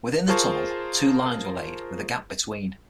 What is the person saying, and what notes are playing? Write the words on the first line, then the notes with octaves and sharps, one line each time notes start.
Within the tunnel, two lines were laid with a gap between.
F4 G#4 A#4 C5 A5 C#6